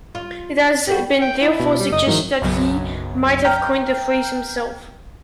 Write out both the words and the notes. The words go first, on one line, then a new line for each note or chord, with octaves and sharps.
It has been therefore suggested that he might have coined the phrase himself.
F4
G3 F#4
G5
E4
B2
G3
F#1 D#5
G#2 D#3 E3 F#3
B1 F#2 C#3 F#3 B3
G5 A#5 F6 G6